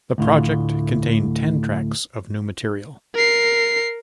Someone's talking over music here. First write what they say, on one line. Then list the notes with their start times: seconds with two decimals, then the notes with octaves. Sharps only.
The project contained ten tracks of new material.
0.18 D2 A2 F4
3.15 A#4 C7